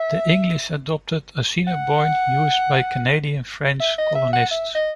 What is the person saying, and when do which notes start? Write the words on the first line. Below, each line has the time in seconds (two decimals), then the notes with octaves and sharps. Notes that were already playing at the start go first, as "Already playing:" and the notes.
The English adopted "Assiniboine," used by the Canadian French colonists.
Already playing: E5
1.67 F#5
3.80 E5
3.99 D#5
4.15 E5
4.33 F#5
4.51 E5
4.75 D#5